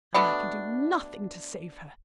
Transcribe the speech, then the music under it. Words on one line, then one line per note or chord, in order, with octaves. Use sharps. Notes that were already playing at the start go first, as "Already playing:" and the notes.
And I can do nothing to save her.
B2 A3 B3 D4